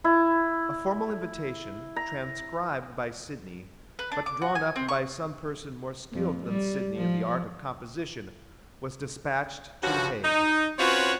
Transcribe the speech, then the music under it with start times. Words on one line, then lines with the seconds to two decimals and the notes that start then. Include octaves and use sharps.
A formal invitation, transcribed by Sidney but drawn up by some person more skilled than Sidney, in the art of composition, was despatched to the Hague.
0.04 E4
1.96 A#5
3.99 B4
4.12 D4
4.26 D6
4.42 F#4
4.55 G#5
4.76 C4
4.88 C#6
6.12 F2
6.47 G3
6.97 F3
9.83 G2 F3 C#4 F#4
10.24 D#4
10.79 C4 C#4 F4 F#4 B4 C#5